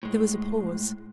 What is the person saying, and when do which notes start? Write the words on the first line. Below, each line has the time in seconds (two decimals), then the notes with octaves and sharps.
There was a pause.
0.03 A2 G#3